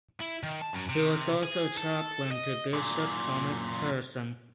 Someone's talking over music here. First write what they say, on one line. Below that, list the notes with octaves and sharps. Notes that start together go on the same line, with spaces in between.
He was also Chaplain to Bishop Thomas Pearson.
E4
D#3
A5
F#2
C3
G#4
A4
D#5
F#2 A#2